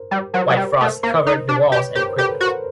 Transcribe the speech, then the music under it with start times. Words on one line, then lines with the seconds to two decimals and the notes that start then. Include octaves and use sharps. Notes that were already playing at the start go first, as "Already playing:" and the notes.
White frost covered the walls and equipment.
Already playing: A#4 C5
0.11 G3
0.34 F#3 A#4 C5
0.50 F#3
0.57 G3
0.81 A3
1.03 A#3 A#4 C5
1.26 D#4
1.49 D4
1.72 G4 B4 C#5
1.95 G4 A#4 C5
2.18 G4 A4 B4
2.40 F#4 A#4 C5